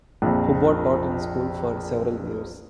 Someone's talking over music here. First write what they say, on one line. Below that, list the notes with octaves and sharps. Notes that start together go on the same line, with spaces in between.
Hubbard taught in school for several years.
A#1 F2